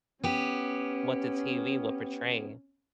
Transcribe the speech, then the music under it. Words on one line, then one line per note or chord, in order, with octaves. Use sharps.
what the TV would portray.
B3 C#4 G4